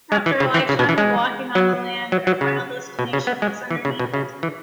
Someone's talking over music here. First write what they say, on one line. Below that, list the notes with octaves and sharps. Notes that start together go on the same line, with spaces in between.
After a lifetime of walking on the land, our final destination is underneath it.
G#3
E3
C#3
E3
C#3
B2
E3
G#3
F#3
F#3
F#3
C#3
B2
C#3
B3
G#3
E3
C#3
B2
C#3
E3